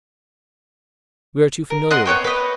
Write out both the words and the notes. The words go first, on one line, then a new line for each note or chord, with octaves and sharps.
We are too familiar with it.
A#4
D#5 F#5 C6
B3 C5 C#5 G5
B4 D#5